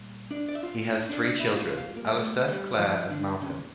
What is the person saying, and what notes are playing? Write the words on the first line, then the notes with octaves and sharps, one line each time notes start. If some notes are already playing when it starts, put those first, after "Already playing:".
He has three children, Alastair, Claire, and Malcolm.
Already playing: A#2 G3
D4 D5
D5
E5
F4 F5
E4 E5
D4 D5
D4 D5
E4 E5
A2 G3 F4 F5
F4 F5
A#3 A#4
A3 A4
G3 G4
F3 F4
D3 D4
C#3 C#4